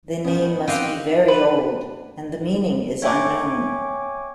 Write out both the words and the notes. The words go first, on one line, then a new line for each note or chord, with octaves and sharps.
The name must be very old and the meaning is unknown.
D#3 B3 C#4
C4 G4 B4 D#5 F5 F#5
B4
C#5 E5 G5 G#5 C#6 D6